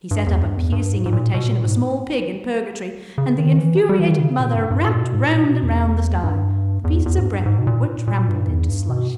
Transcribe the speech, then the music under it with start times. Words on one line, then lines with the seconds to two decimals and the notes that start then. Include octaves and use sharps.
He set up a piercing imitation of a small pig in Purgatory, and the infuriated mother ramped round and round the stye; the pieces of bread were trampled into slush.
0.11 G2
0.26 E2
0.42 G2
0.57 E2
0.72 G2
0.93 G#2
1.06 G#2
1.13 A#2
1.34 B2
1.48 A#2
1.65 G#2
3.18 C#3
3.38 D#3
3.58 E3
3.89 G3
3.99 E3
4.10 D#3
4.19 C#3
4.40 A#2
4.55 G2
4.71 G2
4.86 A#2
5.01 B2
5.14 G#2
5.21 A#2
5.42 B2
5.63 E2
6.23 G2
6.84 E2
7.06 E2
7.18 G#2
7.26 G2
7.46 G#2
7.58 B2
7.67 A#2
8.07 A#2
8.28 G2
8.48 E2
8.69 G2
8.89 B2